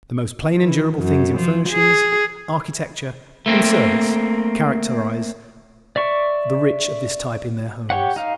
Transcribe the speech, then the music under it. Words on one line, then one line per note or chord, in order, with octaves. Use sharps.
The most plain and durable things in furnishings, architecture and service characterize the rich of this type in their homes.
E3
F#2
F3
G#4
A3 A#3 C4
D5 E5 C#6
G4 C#5 F#5
D#4 F5